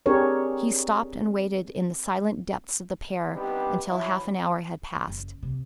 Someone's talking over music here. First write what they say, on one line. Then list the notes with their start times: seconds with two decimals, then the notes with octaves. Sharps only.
He stopped and waited in the silent depths of the pear until half an hour had passed.
0.06 C4 D4 G4 G#4 A#4 C#5
3.33 G3 B3 C4 D4 D#4 G4
3.88 E3 F#3 D4 E4
5.07 F#1
5.43 C3